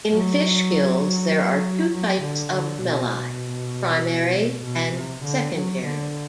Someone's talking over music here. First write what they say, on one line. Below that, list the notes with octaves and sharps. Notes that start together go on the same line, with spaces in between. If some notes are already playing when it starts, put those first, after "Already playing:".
In fish gills there are two types of lamellae, primary and secondary.
F#3
F#3
D3
D3
B2
B2
C3
D3
F#3
D3